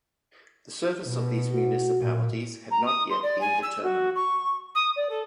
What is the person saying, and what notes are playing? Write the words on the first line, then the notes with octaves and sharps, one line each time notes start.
The surface of these municipalities had not yet been determined.
B2
F#4
A#2
A#5
D#6
C6
D5
G#5
E6
F#4
C#6
D#6
D5
A4